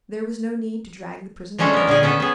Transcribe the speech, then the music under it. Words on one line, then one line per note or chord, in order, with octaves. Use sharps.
There was no need to drag the prisoner away.
F3 G3 G#3 C#4 D4 A4
B3 A#4
A#2 D3 D#3 G#4
B3 C#4 A4
B3 G#4